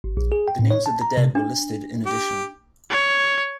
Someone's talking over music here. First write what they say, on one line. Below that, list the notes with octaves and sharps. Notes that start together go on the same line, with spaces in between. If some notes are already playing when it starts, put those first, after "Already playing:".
The names of the dead were listed in addition.
G#1
A#1
G#4
G5
A2
C#5
A5
A#5
C3
D4
G4
C#5